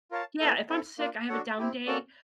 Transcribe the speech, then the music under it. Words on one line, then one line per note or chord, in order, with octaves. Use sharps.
yeah, if I'm sick, I have a down day,
F4 A#4 C#5 F5 A5
B3 E4 A4
C4 E4 A4
A#3 D4 F4
D4 F#4 A4 C#5 F#5
C4 E4 G4
A#3 C#4 F#4 A4 D5